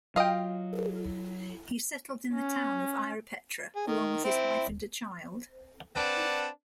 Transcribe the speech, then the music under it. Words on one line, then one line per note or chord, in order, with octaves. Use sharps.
He settled in the town of Ierapetra along with his wife and a child.
F#3 F4 D#5 F5 G5
C#4
G#4
D#3
C4 E4
C4 D4 B4 D5 F#5 A5